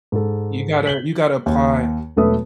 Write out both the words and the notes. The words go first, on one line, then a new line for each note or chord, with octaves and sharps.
You gotta you gotta apply,
G#2 A4
B6 F#7 G7
D#2
E1 F#3 A3 A4 B4 D#6